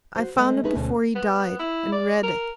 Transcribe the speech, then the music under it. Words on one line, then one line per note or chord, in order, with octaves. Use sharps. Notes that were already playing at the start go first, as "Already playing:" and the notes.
I found it before he died--and read it.
F#4 C5
G#3 A3 A4
A3 C#4 D#4 G#4 B4
D2 B2 A3 C#4
B3
E4
D5
A#4